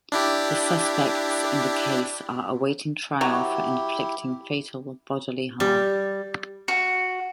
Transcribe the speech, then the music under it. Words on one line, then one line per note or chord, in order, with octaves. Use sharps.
The suspects in the case are awaiting trial for inflicting fatal bodily harm.
D4 E4 G4
F#3 E4 G4
G3
F#4